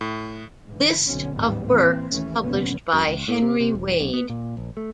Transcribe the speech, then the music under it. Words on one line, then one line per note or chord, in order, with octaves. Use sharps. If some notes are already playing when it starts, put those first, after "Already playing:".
List of works published by "Henry Wade".
A2
G#2 D3 E3
B1 B2 D3 C4 C#4
A1 D#2 G#2 D#3 G3 B3
E3 A#3 C4
D#2 E3 A3 C#4
F1 F#2 A#2 D3 B3 C#4
F#2
C#2
A2
C3
C3
E1
B1
B3
A#2
A#1
A3